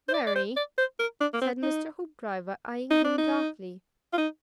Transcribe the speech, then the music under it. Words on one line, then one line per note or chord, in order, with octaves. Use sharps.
"Very," said Mr. Hoopdriver, eyeing him darkly.
C5
D5
D5
C5
D5
C5
A#4
D4
A#3
C4
D#4
D#4
D4
D#4
F4
D#4